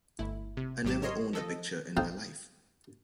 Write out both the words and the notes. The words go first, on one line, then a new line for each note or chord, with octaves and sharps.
I never owned a picture in my life.
G1 A3 E4
C3
G#1 G#2 F#3 G4 E7
A#4 C#5 D#5 C6
F3 A4 D#5
D#4 F4 A4 C5 F5 G5